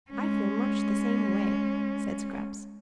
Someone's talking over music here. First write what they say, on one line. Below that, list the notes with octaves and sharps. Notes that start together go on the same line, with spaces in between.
"I feel much the same way," said Scraps.
G#3 C#4